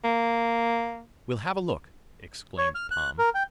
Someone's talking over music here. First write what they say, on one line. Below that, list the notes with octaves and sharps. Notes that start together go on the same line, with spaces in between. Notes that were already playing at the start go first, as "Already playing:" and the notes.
"We'll have a look!" exclaimed Tom.
A#3
C#5
F6
F#6
A#4
G5